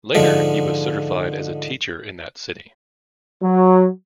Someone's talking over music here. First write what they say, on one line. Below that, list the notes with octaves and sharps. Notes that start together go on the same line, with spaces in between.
Later he was certified as a teacher in that city.
G#2 D3 F3 G#3
F#3